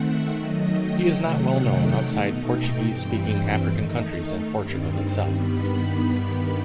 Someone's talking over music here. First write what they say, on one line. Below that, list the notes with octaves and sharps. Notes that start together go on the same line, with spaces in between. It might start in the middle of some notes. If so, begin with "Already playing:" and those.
He is not well known outside Portuguese-speaking African countries and Portugal itself.
Already playing: D#3 A3 C4 E5 F#5
D#3 F#3 A3 D#5
G5
C3 D#3 F#3 A3 D#4 F#5
G5
B2 A3 D#4
G5
G2 E3 G3 C4 G5
D#3 A3 D#4
G2 D#3 G3 C4
G2 D#3 G3 B3 B5